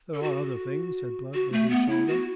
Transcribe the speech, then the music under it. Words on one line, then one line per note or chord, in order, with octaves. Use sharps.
"There are other things," said Blood over his shoulder.
A4
F#4
F#4
A3
B3
E4
F#4